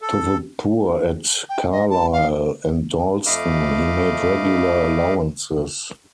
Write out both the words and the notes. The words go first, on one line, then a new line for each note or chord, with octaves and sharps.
To the poor at Carlisle and Dalston he made regular allowances.
A4
G5
D#5
A5
F5
F2 A3 D#5 F5 B5 D6